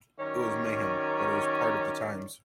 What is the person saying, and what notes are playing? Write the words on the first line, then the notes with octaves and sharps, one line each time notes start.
It was mayhem, but it was part of the times.
F#2 D#3 C#4 A#4 C#5 D5